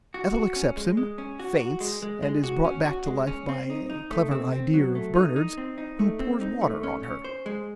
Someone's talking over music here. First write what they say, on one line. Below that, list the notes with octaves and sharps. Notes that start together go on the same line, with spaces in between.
Ethel accepts him, faints and is brought back to life by a clever "idear" of Bernard's, who pours water on her.
F#4
F#4
C#4
G#3
G#3
C#4
F#4
F#4
G#3
G#3
G#3
F#4
C#4
F#4
G#3
C#4
C4
D#4
D#4
A3
C4
C4
F#3
A3
D#4
D#4
C4
D#4
A3
C4
D#4
A3
C#4
C#4
C5
G#3